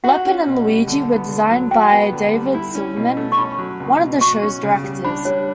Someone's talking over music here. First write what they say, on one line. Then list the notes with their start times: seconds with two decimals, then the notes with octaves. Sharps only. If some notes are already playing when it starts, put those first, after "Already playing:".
Leopold and Luigi were designed by David Silverman, one of the show's directors.
0.04 F#4 F#5
0.25 C#4
0.46 B2
0.67 G3
0.88 D3
1.08 B3
1.29 D3
1.50 F#3
1.71 F#4 G5
1.92 B3
2.13 D3
2.34 G3
2.54 E4
2.75 C#4
2.96 B2
3.17 A3
3.32 C#6
3.38 C#4 B5
3.58 F#3
3.80 C#2
4.00 B2
4.21 F#4 C#6
4.42 C#4
4.63 C#3
4.84 G3
5.05 D4 B5
5.25 G3 C#5